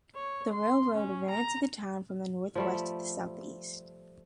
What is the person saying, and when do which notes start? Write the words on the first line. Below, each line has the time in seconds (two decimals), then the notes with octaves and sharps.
The railroad ran through the town from the northwest to the southeast.
0.15 C#5
0.52 C6
0.96 C#4
1.30 A#5
2.55 F3 G3 A3